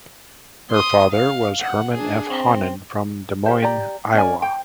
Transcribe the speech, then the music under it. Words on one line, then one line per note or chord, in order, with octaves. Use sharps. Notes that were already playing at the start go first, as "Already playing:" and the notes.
Her father was Herman F. Hahnen from Des Moines, Iowa.
C6 D#6
F5
F#5
D4 G#4
C4
F4 G4 C5
G4 D5 A#5
C#4 D5 G#5
C5 G5